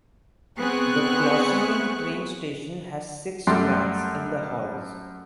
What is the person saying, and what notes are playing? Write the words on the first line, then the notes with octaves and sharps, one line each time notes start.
The Plochingen train station has six tracks in the halls.
B3 C4 G#4 C#6 F#6
F#2 G3 A3 A4 D5 C6